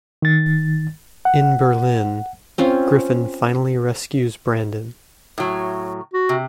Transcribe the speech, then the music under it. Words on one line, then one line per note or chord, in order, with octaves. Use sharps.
In Berlin, Griffin finally rescues Brandon.
D#3 A6
F#5
C4 C#4 F4
A2 F#3
F#4
C3